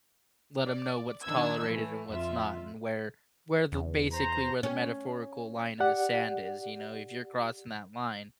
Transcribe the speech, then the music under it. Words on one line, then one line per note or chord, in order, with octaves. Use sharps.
Let 'em know what's tolerated and what's not and where where the basically where the metaphorical line in the sand is. You know? If you're crossing that line,
D5
D#3 D4 E6 G#6
E3 A3
F2 F4 E5
E2
C5 A#5
C#4
G4 D5 F#5